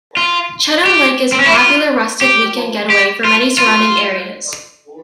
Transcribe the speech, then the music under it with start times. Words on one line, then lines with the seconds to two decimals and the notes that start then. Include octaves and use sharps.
Cheatham Lake is a popular rustic weekend getaway for many surrounding areas.
0.17 F4
0.85 G4
1.32 C4
1.39 C#4
1.46 E4
1.54 F4
2.21 G4
2.90 G4
3.24 F4
3.58 F4